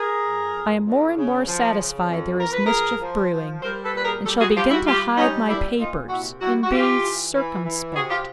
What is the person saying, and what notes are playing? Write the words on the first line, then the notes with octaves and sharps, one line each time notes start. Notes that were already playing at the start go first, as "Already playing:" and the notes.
I am more and more satisfied there is mischief brewing; and shall begin to hide my papers, and be circumspect.
Already playing: G#4 A#4
F2
F2
F2
C#3
F3
C#3
F2
F2 A#4
B4
G#4 A#4
F2
F3
F3
G3 A#4 C5
A4 B4
A#2 B4
G#4 A#4
G3 G4 A4
F#4 G#4
G3 F4 G4
E4 F#4
G3 F4 G4
G3 C#4 D#4
A#2 D4 E4
A#2 D#4 F4
C3 E4 F#4
G3 E4 F#4
F#4
E3 F4 G4
E3
E3
E3
C3 F#4 G#4
F4 G4